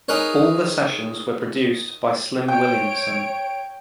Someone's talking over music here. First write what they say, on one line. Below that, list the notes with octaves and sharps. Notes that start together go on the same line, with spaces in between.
All the sessions were produced by Slim Williamson.
D#4 G#4 A#4 B4 C#5
C#5 G5 D7